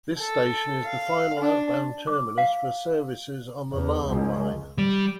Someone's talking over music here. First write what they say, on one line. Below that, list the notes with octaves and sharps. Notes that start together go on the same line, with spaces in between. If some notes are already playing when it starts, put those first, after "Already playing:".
This station is the final outbound terminus for services on the Larne Line.
A4
F5
D4
D6
F5
E2
C#2
G3